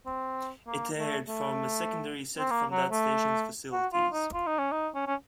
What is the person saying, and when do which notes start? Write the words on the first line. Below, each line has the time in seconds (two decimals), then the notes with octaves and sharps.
It aired from a secondary set from that station's facilities.
0.06 C4
0.67 A#3
0.98 A3
1.28 A3
2.38 C4
2.51 A#3
2.71 F#3
2.91 A3
3.73 F#4
3.93 F4
4.13 D#4
4.34 F4
4.47 D#4
4.59 C#4
4.72 D#4
4.95 C#4
5.07 C#4